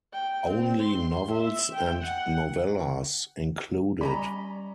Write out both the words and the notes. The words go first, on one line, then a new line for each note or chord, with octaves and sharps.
Only novels and novellas included.
G5
C4
C6
E5
G5
F#5
G3 C#4 D5 D#5 A#5 B5